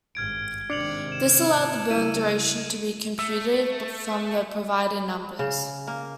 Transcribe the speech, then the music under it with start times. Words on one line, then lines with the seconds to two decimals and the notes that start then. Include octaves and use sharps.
This allowed the burn duration to be computed from the provided numbers.
0.15 G#1 G2 F6 G#6 D7
0.70 G#2 C3 D#3 D4 C#7 F7 F#7
1.12 E7
1.91 C#2 C#3 G3 E4 D#7
3.19 A3 E6
5.39 C#3
5.87 A#3